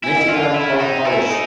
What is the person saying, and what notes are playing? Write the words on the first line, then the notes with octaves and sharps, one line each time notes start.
Michigan for college.
E4 G#5
D#5
F4 D5
E4 E5
D4 F#5
D#4
G5
E4 G#5
D#4